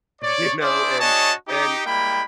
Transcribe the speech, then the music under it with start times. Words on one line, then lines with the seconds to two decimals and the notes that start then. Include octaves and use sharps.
you know, and and
0.22 C#5 D5
0.61 D4 E4 G#4 C5 D5
0.99 D4 F#4 G#4 C#5 D#5 A5
1.49 D#4 G4
1.86 G3 G#3 A#3 E4 G5 B5